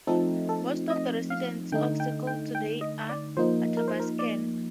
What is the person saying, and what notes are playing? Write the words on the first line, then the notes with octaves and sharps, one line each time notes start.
Most of the residents of Circle today are Athabascan.
F3 A3 C4 D#4 A4
A4
D#5
F5
D3 A3 D#4 G5
G5
G5
G5
D#5
D5
F3 A#3 D#4 C5
A#4
C5
A#4
D5